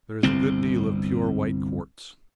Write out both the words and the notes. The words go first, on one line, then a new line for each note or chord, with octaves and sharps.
There is a good deal of pure white quartz.
G1 C2 C4